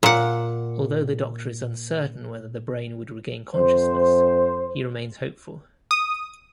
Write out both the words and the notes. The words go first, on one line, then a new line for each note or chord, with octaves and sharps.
Although the doctor is uncertain whether the brain would regain consciousness, he remains hopeful.
A#2 F#5
F2 C5
D#6